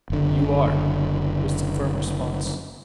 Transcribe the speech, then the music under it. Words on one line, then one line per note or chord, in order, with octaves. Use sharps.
"You are," was the firm response.
F#1 D3